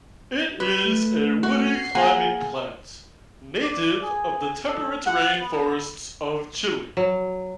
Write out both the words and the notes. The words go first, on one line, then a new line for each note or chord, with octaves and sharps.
It is a woody climbing plant, native of the temperate rain forests of Chile.
B4
A3
F#4
C7
A#3 G#4 F#5 G#5
D5
G#4
A4
F#5
B3
F#3